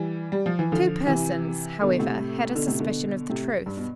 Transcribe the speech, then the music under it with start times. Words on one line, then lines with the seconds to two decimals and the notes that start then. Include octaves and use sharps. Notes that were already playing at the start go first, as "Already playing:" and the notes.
Two persons, however, had a suspicion of the truth.
Already playing: E3 G3
0.32 G3
0.46 F3
0.59 E3
0.72 D3 F3
1.06 C3 E3
1.81 B2 D3
1.99 A2 C3
2.55 B2 D3
2.67 A2 C3
2.80 B2 D3
3.30 A2 C3
3.66 G2
3.77 B2